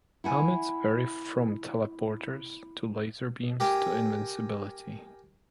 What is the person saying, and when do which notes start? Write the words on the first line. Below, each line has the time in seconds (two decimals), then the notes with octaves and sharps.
Helmets vary from teleporters, to laser beams, to invincibility.
0.24 E4 F#5 G#5
3.60 G4 A#4 G5 G#5